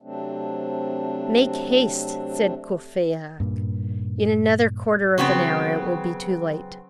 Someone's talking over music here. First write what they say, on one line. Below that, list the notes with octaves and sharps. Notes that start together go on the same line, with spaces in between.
"Make haste," said Courfeyrac, "in another quarter of an hour it will be too late."
C3 F#3 A3 C4 D4
G2 A#2
C#3 F#3 B3 C4